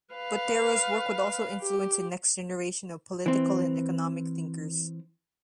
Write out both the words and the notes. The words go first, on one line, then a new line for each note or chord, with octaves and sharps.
Botero's work would also influence the next generation of political and economic thinkers.
B4 F5
G4
E3 C4